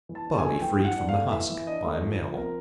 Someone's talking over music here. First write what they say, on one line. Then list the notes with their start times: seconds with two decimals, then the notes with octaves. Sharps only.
Barley freed from the husk by a mill.
0.09 E3
0.15 A5
0.27 D4
0.38 G#5
0.44 A3
0.62 E3 G5
0.79 E3
0.85 F#5
0.96 D4
1.09 F5
1.15 A3
1.32 E3 E5
1.49 E3
1.67 D4 D#5
1.84 A3
2.02 F3
2.20 F3
2.37 C4 A#4